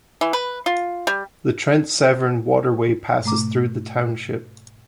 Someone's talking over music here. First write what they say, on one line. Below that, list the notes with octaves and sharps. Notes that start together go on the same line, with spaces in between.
The Trent-Severn Waterway passes through the township.
E3
B4
F4
G3
G#2 B2 A3 A#5 D6